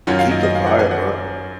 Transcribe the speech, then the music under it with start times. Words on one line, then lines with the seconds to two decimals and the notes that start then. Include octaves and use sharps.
Keep the fire burn
0.07 F#2 D#3 F#3 C#4 F4 F#5
0.19 F5
0.31 D#5
0.43 D#5
0.55 F5
0.67 F#5
0.79 G#5
0.91 F#5